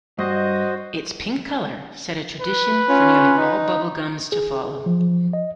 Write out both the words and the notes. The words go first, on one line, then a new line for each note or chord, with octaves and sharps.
Its pink color set a tradition for nearly all bubble gums to follow.
G2 F#4 C5 D#5
B4
C#4 F4 C#5
D#4
G#4
F3
D#5